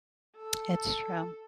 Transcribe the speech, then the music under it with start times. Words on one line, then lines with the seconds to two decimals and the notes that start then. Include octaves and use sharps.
It's true.
0.36 A4